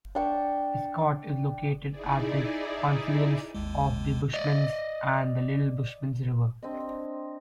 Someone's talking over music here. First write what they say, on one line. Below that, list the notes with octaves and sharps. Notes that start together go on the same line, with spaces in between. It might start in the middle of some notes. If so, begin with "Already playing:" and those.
Estcourt is located at the confluence of the Bushmans and the Little Bushmans River.
D4 G5 C#6
D#4 E4 G#4 D5
G#1 D#2 G#3
D5 D#5
C4 D4 D#5